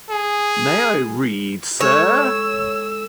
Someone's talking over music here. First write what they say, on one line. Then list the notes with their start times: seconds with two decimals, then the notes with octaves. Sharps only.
May I read, sir?
0.10 G#4
1.81 G#3 A4 C#5 E6